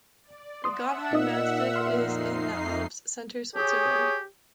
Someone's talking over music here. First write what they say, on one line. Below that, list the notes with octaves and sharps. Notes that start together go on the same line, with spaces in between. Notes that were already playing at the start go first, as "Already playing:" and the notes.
The Gotthard massif is in the Alps, Center Switzerland.
D5
E5 F#5 C6 D#6 E6
A#2 D#4 D#5
F2 D#4 E5 C6 F6 C7
G4 G#4 C#5